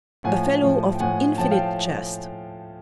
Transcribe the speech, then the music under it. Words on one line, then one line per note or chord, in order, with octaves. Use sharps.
A fellow of infinite chest.
A2 F3 F#5 G#5
A2 F3
G5
A2 F3 F#5 G#5
A2 F3 G5 A5
F5 G5